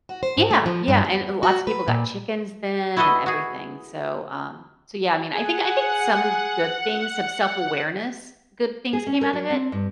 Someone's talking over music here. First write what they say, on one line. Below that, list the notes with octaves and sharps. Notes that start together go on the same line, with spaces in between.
Yeah. Yeah. And l lots of people got chickens then and everything. So, um, so yeah. I mean, I think I think some good things, some self-awareness, good things came out of it.
F#4
C5
G#2
A3
F3
G2
E2
F#4
B4
A#2
E4 F#4 A4 B4 D#5
F#4 G#4
G#4 F#5
G#4
C#4
A#4
F#3
C4
G2